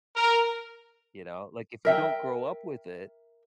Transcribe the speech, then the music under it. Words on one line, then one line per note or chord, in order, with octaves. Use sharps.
you know? Like, if you don’t grow up with it,
A#4
A#4 E5 G5